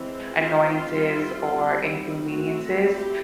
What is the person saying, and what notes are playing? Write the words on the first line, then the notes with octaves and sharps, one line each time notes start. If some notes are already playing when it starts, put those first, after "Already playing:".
annoyances or inconveniences,
Already playing: E3 G#3 C4
F4
G3 C4 E4
F#3 A3 C4 E4 F#4
G4